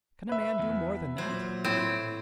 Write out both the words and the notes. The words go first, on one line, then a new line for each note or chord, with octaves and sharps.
Can a man do more than that?
B4 E5
E2
A#2 F#3 C5
A2 C4